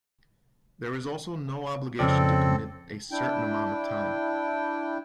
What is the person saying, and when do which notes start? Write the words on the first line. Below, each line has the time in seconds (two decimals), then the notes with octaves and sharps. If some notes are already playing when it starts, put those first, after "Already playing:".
There is also no obligation to commit a certain amount of time.
1.99 F2 C#3 C4 A4 D5
3.11 D4 E4 G5